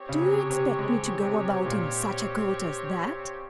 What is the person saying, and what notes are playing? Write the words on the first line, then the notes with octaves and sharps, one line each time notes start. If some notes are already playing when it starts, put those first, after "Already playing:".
'Do you expect me to go about in such a coat as that?
Already playing: C4 G4 C#5
C#3
C3
C3
G#3
C3
A#2